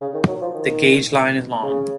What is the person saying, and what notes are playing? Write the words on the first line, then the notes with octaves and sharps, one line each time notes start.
The gauge line is long.
C#3
D#3
F#3
F3
D#3
C#3